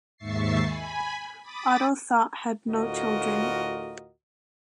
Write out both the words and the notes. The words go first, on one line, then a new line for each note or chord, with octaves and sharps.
Otto Thott had no children.
D#2 G#2 E5 C#6 A6 C7
G#5 B5
B5 D6 D#6 A6
D2 A2 F4 F#4 A#4 D#5